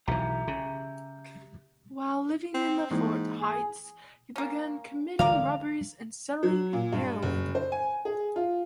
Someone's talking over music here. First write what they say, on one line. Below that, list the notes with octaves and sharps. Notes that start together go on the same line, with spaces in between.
While living in the Ford Heights, he began committing robberies and selling heroin.
B1 E3 G4 E5 A#5
C#3
C4
G#2 E3 A#3 E4
G#4
A#3 C#4
D3 E3 G#3 A#4 D5 F5
F#3
A#2
G2
F#1
C5
G#5
G#4
F4